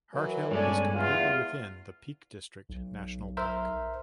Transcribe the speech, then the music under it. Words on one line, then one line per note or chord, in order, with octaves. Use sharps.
Harthill is completely within the Peak District National Park.
E3 F#3 A#4
G2 G#3 B3 C#4 A4 D5 G#5
E2 F4
B1
A#4 C5 E5